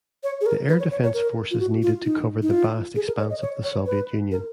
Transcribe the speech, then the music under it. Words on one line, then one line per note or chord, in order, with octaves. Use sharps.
The Air Defense Forces needed to cover the vast expanse of the Soviet Union.
C#5
G#4
A#4
B4
C#5
C#5
C#5
A#4
F4
F#4
F4
D#4
D#4
F4
G#4
A#4
C#5
D#5
C#5
C#5
B4
A#4